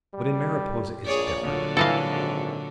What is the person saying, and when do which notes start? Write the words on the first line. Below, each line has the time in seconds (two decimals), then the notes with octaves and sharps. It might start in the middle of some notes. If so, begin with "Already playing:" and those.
But in Mariposa it's different.
0.14 G3
1.05 A#1 G#4 C#5 D5
1.41 A#2 D3 F#3
1.77 E3 A4 D#5 F5
2.06 G#1